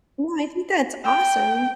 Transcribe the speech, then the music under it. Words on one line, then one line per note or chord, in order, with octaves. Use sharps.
Well, I think that's awesome.
G5